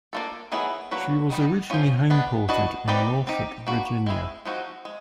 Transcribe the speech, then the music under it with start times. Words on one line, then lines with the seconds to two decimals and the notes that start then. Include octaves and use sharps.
She was originally homeported in Norfolk, Virginia.
0.13 A#3 D4 F4 A4
0.52 D#3 F#3 B3 E4 G#4
0.91 F#3 A#3 D4 F#4 B4
1.30 D#3 G3 B3 D#4
1.70 C#4 F4 G#4 C5
2.10 G#3 B3 D4
2.49 D4 F#4 B4 D#5
2.88 C4 D#4 G4 B4 D5
3.27 C4 D#4 G4
3.67 A#3 D4 F#4 B4
4.06 G#3 C4 E4 G#4
4.45 F3 G#3 C4 D#4 F#4
4.85 G#3